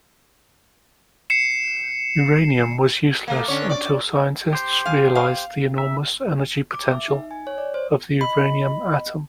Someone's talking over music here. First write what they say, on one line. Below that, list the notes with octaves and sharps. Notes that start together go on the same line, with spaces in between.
Uranium was useless until scientists realized the enormous energy potential of the uranium atom.
C7 C#7 E7
A3 A#3
D3 C#4 C#5
D5
G4 C5
F5 G#5
F5
E5
D6
E5
D#4
G#5
C#5
D5
C5
D#5 B5